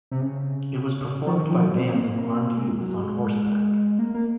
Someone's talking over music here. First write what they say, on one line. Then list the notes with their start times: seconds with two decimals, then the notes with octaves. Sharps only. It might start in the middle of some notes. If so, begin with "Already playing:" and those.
It was performed by bands of armed youths on horseback.
0.11 C3
0.21 C#3
1.26 F3
1.39 D#3
1.51 F3
1.62 F#3
1.78 C4
1.94 A#3
2.57 G#3
2.80 F#3
3.04 G#3
3.99 A#3
4.14 A#3